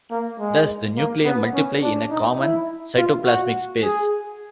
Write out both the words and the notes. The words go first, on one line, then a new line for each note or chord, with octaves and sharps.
Thus, the nuclei multiply in a common cytoplasmic space.
A#3
G#3
A#3
B3
C#4
D4
D#4
E4
F4
F#4
G#4